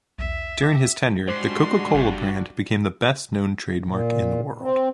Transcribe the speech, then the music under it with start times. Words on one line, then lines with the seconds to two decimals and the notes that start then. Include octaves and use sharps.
During his tenure, the Coca-Cola brand became the best-known trademark in the world.
0.18 B1 E2 E5
0.63 G5 D6
1.28 G#2 G3 D4 F#4 C5 C6 D6 F#6
1.94 G1 G2
3.86 A#2
4.61 C4